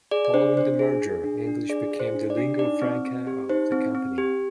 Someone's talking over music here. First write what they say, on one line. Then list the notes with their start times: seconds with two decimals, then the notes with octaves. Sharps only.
Following the merger, English became the lingua franca of the company.
0.11 G#4 D5
0.25 D5
0.34 D4 C5
0.57 D4 C5
0.79 G#4
1.02 G#4
1.24 D4
1.47 D4
1.69 G#4 D5
1.92 G#4
2.00 C5
2.14 D4
2.30 D5
2.37 D4
2.59 D#4 D5
2.82 C4
3.05 C4
3.27 G4
3.49 D#4 C5
3.72 C4
3.95 C4
4.18 G4